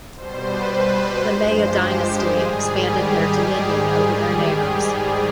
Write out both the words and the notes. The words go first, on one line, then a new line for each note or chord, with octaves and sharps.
The Maya dynasty expanded their dominion over their neighbors.
B2 G3 C5
B4
G2 F3 G#3 C5
G4
G4
G#4
G#2 D#3 G3 G#4
G4